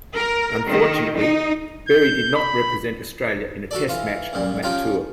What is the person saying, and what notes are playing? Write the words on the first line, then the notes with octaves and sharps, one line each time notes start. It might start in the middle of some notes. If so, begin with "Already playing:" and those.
Unfortunately, Berry did not represent Australia in a Test match on that tour.
A#4
D#3
D#4
G6
B5
F#4 A4 D5
E3 F4
F#2 A#2 G3
F3 C#4 F4 G4 A#4